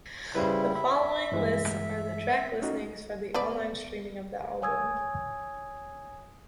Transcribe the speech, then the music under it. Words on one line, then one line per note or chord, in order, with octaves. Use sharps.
The following lists are the track listings for the online streaming of the album.
C#3 G3 E4 B4 C5
E5 B5
G2 E3 G#3
C#4 D#4 F#4
B3 B4 D5
C#5 G#5 D#6 E6 G#6